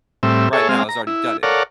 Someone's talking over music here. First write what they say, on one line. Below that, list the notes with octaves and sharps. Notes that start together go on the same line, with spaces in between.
right now has already done it.
A2 G3 C4 E5
G#4 A4 C#5 E5
G#3 C4 F5
A#5
E4
A4 A#4 C#5 D5 F5 F#5